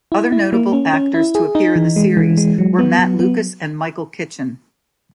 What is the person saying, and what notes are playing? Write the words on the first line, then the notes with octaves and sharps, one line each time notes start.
Other notable actors to appear in the series were Matt Lucas and Michael Kitchen.
E4
E4
A#3
C#4
C#4
E4
G#4
D#4
E3
G#3
E3
G#3
F#3
B3
F#3
B3